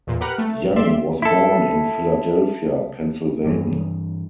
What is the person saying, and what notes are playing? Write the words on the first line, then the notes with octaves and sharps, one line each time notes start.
Young was born in Philadelphia, Pennsylvania.
E2 A#2
G4 A#4 B4 F#5 F6 F#6
A3
A#1
D5 E5 C6
E4 A4
G2 E3